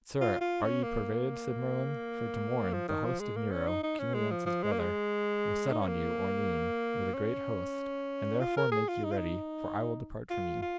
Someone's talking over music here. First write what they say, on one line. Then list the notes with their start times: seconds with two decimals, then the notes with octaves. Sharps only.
But, sir, are ye purveyed, said Merlin, for to-morn the host of Nero, King Rience's brother, will set on you or noon with a great host, and therefore make you ready, for I will depart from you.
0.21 F4
0.41 F4
0.63 C#4
0.83 A#3
2.73 F3
2.88 D#3
3.05 F3
3.20 G#3
3.37 A#3
3.51 C#4
3.67 D#4
3.83 D#4
3.99 C#4
4.14 G#3
4.31 F3
4.46 F3
4.63 G#3
4.72 A#3
4.80 G#3
5.72 D#4
5.80 C#4
5.88 A#3
7.14 C#4
8.40 F4
8.57 A#4
8.72 G#4
8.89 F4
9.04 D#4
9.11 F4
9.18 D#4
10.30 F4
10.62 F4